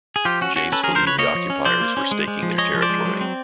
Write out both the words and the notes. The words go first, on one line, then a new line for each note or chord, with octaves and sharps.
James believed the occupiers were staking their territory.
G#4
F3 F4 G4
C#4 F#4
C#4 F#4
C#4 A4 B4
F3 G#4 A#4
A#4 C5
C#3 B4 C#5
A#3 C#5 D#5
F3
C#4
F3 C5 D5
A#3
C#4
G#3
G#3
F3
G#3 C#5 D#5
F3
C5 D5
G#3
F#3
C4